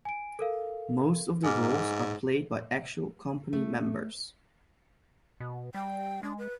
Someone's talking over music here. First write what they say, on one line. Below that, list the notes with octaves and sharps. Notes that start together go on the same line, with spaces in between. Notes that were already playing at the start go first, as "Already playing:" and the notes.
Most of the roles are played by actual company members.
G#5 D7
A4 A#4 F5
G#2 G#5 D6 F6
A3
B2
G3 G5
G#3 D4
B4